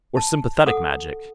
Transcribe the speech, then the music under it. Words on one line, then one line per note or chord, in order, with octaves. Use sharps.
"Or sympathetic magic?"
A5
A4 F#5 D#6